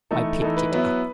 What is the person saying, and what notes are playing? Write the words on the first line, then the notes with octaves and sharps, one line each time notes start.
I picked it up.
E3 A3 D#4 A4
E3 A3 D#4 A4
B4
F#3 B3 E4